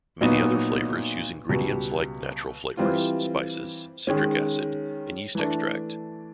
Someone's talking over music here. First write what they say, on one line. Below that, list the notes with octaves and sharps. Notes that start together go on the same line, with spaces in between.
Many other flavors use ingredients like natural flavors, spices, citric acid, and yeast extract.
A#2 F#3 B3 D#4
C#2 B2 G3
E3 G3 C4 F4
D#3 G#3 C#4
E3 A3 D4